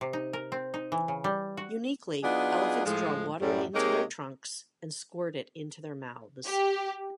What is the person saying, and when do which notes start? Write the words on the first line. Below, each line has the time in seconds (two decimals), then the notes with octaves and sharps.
Uniquely, elephants draw water into their trunks and squirt it into their mouths.
0.01 C3
0.13 D#4
0.33 A#4
0.52 C4
0.74 D#4
0.92 E3
1.08 C#3
1.24 G3
1.57 F#4
2.23 F#3 B3 D4 D#4 F4 G#4
2.84 A2 F3 G#3
3.40 F#2 A2 G3
3.75 C3 G#3 A#3 D#4 G4 C#5
6.45 G4